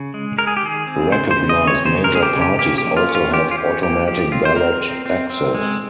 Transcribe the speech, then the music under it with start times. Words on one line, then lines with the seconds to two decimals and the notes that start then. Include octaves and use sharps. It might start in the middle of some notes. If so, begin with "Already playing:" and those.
Recognized major parties also have automatic ballot access.
Already playing: C#3
0.14 G#3
0.38 G#3 A#4
0.47 G#4
0.57 G4
0.63 D#3 G#4
0.87 C4
1.12 C#3 C5
1.31 C5
1.37 C#3
1.49 D#5
1.61 C4
1.67 C#5
1.86 C#3 C5
2.04 A#4
2.10 C#3 G#4
2.23 G4
2.35 C#3
2.41 G4
2.59 A#3 G4
2.78 G4
2.84 F3
2.97 F4
3.09 C#4
3.15 F4
3.33 C#4 G4
3.51 F4
3.58 C#4 G4
3.83 A#3 G4
4.07 F3 G4
4.32 C4 F4
4.45 C5
4.56 C4 A#4
4.81 C4
5.06 C4
5.30 C4
5.55 G#3